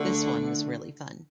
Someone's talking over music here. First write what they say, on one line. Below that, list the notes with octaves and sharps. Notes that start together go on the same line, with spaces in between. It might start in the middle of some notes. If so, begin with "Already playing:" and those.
This one was really fun.
Already playing: D3 A3